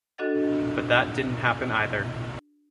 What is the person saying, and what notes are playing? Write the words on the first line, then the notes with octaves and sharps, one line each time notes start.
But that didn't happen either.
D4 F#4 A4 D#5 F#5 A6